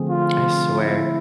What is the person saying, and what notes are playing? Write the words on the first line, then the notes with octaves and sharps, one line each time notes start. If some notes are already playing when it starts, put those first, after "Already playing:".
I swear
Already playing: D3 F3 A3 C4 G#4
F4
E4